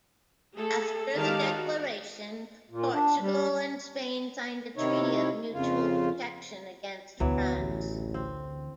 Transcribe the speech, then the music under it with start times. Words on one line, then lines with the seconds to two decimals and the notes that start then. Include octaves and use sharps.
After the declaration, Portugal and Spain signed a treaty of mutual protection against France.
0.54 A3 G#4 A4
1.16 D#3 G#3 G4 D5 F5 A5
1.52 F#4
2.68 A#2
2.93 D4
3.20 G3
4.77 C3 D#3 D#4 E4 C#5
5.54 F2 C#3 F4
7.20 D2 D3 E3 F#3 B3
7.57 A1
8.14 C4